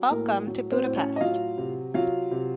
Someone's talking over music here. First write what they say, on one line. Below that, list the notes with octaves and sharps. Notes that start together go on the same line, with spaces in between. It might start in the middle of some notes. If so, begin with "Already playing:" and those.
Welcome to Budapest!
Already playing: F#3
A2 A#3 A#4
F#3
C4 C5
A2
C#4 C#5
D#5
F#3 F4 F5
C3
F#3 F4 F5
C3